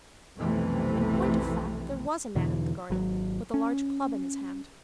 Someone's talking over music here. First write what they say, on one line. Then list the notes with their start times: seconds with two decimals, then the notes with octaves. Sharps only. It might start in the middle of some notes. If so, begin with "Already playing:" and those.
In point of fact, there was a man in the garden, with a large club in his hand.
0.37 B1 F2 C3 E3 A3
2.35 E2 B2 D3 E3
2.90 G#1 F#3
3.54 C#4